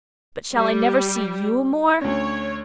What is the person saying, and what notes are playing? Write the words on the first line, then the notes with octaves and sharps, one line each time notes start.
But shall I never see YOU more?
G3
D2 C#4 C#5